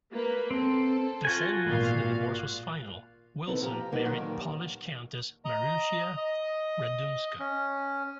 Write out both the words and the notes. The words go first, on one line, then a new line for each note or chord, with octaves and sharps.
The same month the divorce was final, Wilson married Polish countess Marusia Radunska.
A#3 B4
C4 A4
F4 F#4 G#5
G#1 A#2 F5
B2 C4 D#4 E4 A4 B4
A#2 F3 G4 A5 A#5
G#3 A#3 D#4 F#4 B4
A#2 D3 D#3 F#3 G3
D#5 A#5
D#5
C#4